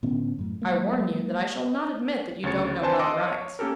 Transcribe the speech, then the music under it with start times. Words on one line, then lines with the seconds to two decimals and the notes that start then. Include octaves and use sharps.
"I warn you that I shall not admit that you don't know how to write."
0.03 A2 D3 B3 C#4
0.39 F#2 A2
0.62 F#3 G#3 A#3
2.43 D2 C#3 C#5 A6 C#7
2.82 C4 D4 B4 C5 G#5 A5
2.99 D#5 F#5 A5 C6 D6 E6
3.28 C#5
3.59 A#3 C#4 G4 A4 A#4